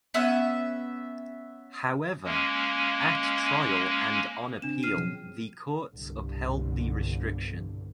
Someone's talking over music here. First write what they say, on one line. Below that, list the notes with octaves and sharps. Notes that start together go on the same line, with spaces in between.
However, at trial and on appeal the courts upheld the restriction.
B3 C#4 E5
G#3 A#3 C#4
C#3 C4 D4 E7
F6 C7 D#7
B2 F3 F#3
C2 G2 B2 D3